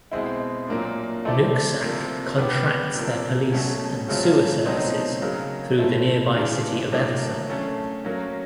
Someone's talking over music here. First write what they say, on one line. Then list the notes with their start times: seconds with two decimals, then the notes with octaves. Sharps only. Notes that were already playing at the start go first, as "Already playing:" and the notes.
Nooksack contracts their Police and sewer services through the nearby City of Everson.
0.11 B2 G#3 C4 E4
0.68 A#2 F#3 A#3 D4
1.25 A3 C4 E4 A4 D5
1.81 C3 F3 A#3
2.38 B3 D4 G4
2.95 C3 F3 A#3
3.52 B2 F#3 A3 C#4
4.08 C#3 F#3 A3 C4 F4
4.66 B2 F#3 A3 C4 D#4
5.22 C#3 F#3 A#3
5.79 A3 C4 E4
6.35 C#3 E3 A3 D4
6.92 A2 F#3 A#3 D4
7.49 F#3 A3 C#4
8.05 F#3 A#3 C#4